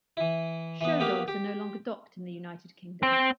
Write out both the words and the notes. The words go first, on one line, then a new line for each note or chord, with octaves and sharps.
Show dogs are no longer docked in the United Kingdom.
E3 E4
E3 B3
A#3 B3 G4 F5
G4
C4